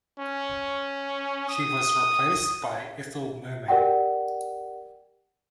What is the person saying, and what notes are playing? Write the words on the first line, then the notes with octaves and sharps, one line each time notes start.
She was replaced by Ethel Merman.
C#4
D#6
G4 A#4 D5 F#5 G5